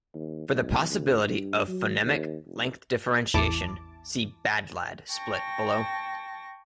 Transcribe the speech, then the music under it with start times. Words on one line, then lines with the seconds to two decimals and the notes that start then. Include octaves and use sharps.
For the possibility of phonemic length differentiation, see "bad-lad" split, below.
0.15 D#2
0.48 B1
0.90 D2
1.24 G2
1.67 F#3
2.02 D#2
2.45 F1
3.34 A1 E2 E4 A5 D6
5.12 G5 A5 C#6 A#6